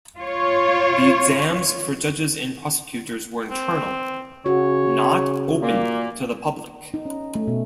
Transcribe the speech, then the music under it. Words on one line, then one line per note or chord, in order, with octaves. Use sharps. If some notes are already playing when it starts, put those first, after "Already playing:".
The exams for judges and prosecutors were internal, not open to the public.
F4 C#5
C4
C#3 F#4 C#5
A#2 A#3 D5
D#4
C#4
A3
B2